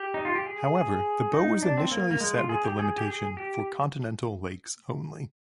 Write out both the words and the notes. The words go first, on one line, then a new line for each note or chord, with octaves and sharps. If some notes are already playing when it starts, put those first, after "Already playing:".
However the boat was initially set with the limitation "for continental lakes only".
Already playing: G4
D#4
F4
G4
G#4
G#4
D#4
D4
C4
A#3
A#3
G#3
F4
G#4
G4
G#4
G4
G#4
G4